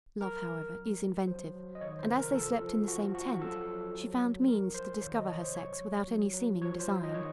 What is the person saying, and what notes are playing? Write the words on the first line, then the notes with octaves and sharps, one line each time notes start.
Love, however, is inventive, and as they slept in the same tent, she found means to discover her sex without any seeming design.
F#3 A#4
F#3
F#3
F#3
F#3 C5
F#3
D#5
D#3 C#5
C5
C3
A#4
F3 A4
F3
F3 F#4
F3 F#4
F#3 A4
F#3
F#3
F#3
F3 A#4
F3 C5
D#3 C#5
D#5
C3 C#5
C5
F#3 C#5
F#3
F#3
F#3
F3 C#5
C5
F3
D#5
D#3 C#5